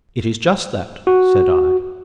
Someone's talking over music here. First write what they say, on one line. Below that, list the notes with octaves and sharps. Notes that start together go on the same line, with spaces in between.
"It is just that," said I.
F#4